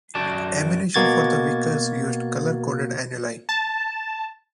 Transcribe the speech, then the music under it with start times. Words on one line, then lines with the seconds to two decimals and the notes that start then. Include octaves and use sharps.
Ammunition for the Vickers used colour-coded annuli.
0.15 F#2 F#4 D5 A5
0.94 B2 A#3 F#4 G#6 A6
3.49 A5